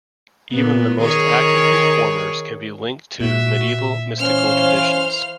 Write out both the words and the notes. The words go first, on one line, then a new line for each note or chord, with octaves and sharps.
Even the most active reformers can be linked to Medieval mystical traditions.
A#2 B3
D#3 G#4 C#5
A#2 F#4 E5
E3 C#4 C5 F5 F6